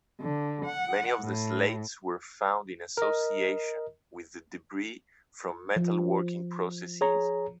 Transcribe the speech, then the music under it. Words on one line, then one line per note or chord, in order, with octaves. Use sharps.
Many of the slates were found in association with debris from metal-working processes.
D3
F#5
A2
A#4 D#5
F3
G#4 C#5 A#5